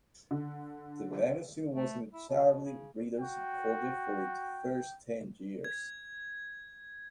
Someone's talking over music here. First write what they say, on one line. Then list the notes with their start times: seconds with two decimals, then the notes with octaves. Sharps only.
The magazine was entirely reader-supported for its first ten years.
0.31 D3
1.73 A3
2.13 E4
2.29 B2
2.65 C#3
3.20 F#4 G5
5.64 G#6